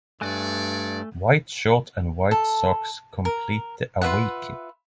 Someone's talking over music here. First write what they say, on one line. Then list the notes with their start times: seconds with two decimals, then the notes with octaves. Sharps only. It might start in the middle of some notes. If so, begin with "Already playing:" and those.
White short and white socks complete the away kit.
0.21 G2 A3 C#5 D5 G#5 F#6
2.31 A4
3.25 A#4
4.01 F4 B4 E5 F#5